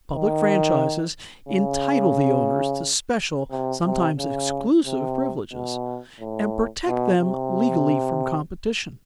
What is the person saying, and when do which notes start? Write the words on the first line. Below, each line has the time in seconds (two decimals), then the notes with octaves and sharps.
Public franchises entitle the owners to special, sometimes exclusive, privileges, and protect them legally from competition.
0.15 D#3
1.49 C#3
3.51 C3
3.85 C3
4.18 C#3
4.86 C3
5.52 B2
6.20 A2
6.87 B2
7.21 C3